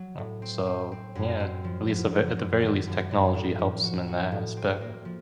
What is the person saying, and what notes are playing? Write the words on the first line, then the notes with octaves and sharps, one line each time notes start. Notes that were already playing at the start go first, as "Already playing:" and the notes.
Uh, so yeah, at least the ver at the very least, technology helps them in that aspect.
Already playing: F#3
A2
C4
C4
C4
F#2
C4
F3
F#2
F#2
F#2
D#3
F#2
F#2
A2
F3
F#4
F#4
A2
C4
A#3
F3